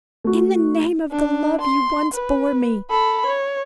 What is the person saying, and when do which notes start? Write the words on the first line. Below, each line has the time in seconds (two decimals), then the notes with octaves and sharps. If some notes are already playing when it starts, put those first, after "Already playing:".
"In the name of the love you once bore me!"
0.24 A3 F#4
1.11 D4
1.61 C6
2.14 B4
2.90 A4 B5
3.26 C#5